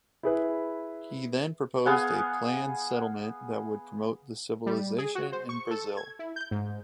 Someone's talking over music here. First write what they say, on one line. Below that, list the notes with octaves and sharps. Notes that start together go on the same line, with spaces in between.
He then proposed a planned settlement that would promote the civilization in Brazil.
E4 G#4 B4
B3 G#4 F5 F#5
G3
G#4
F#4
C5
C#6
A4
G#6
E4
G6
G#2